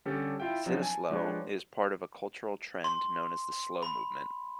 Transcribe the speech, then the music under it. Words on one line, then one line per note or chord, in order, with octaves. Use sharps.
Cittaslow is part of a cultural trend known as the slow movement.
D3 G3 C#4 G4 A4
E4 F4 E5 G5
F3 F#3 C4 D4 D#4
G#5 A5
F3 G#3 D4 G4 B4 C#5
C6
B5